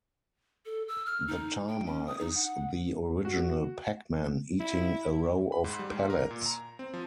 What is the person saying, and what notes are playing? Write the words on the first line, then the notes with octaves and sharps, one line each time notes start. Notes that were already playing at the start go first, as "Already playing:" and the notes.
The timer is the original "Pac-Man", eating a row of pellets.
A4
E6
F6
D#4
G5
C#4
D#6
D#4
F#5
F#4
E4
B5
G#2
G3
G#2
A#4
A#2
A#5
C4
F3